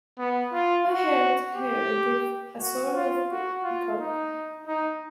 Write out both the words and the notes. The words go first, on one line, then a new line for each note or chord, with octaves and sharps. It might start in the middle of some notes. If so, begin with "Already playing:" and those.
I heard her give a sort of gulp.
B3
F4
F#4
G4
F#4
F4
F#4
F4
D#4
D#4